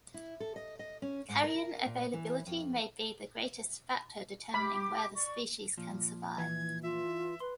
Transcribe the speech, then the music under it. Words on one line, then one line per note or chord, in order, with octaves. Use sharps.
Carrion availability may be the greatest factor determining where the species can survive.
E4
A4
D#5
D#5
C#4
G#2
A#4
A#2
E3
F2
G4 B5 D6
D5 C#6
A#2 F3
E3 G#6
F4 E5
B4 C6